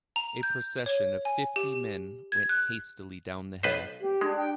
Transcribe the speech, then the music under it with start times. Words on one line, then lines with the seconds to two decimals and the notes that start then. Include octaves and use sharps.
A procession of fifty men went hastily down the hill.
0.16 A#5
0.43 G6
0.86 C#5
1.25 G#5
1.56 G4
2.32 G#6
2.49 F#6
3.63 B1 B4 C5
4.01 G4
4.21 G#3 D4
4.37 G5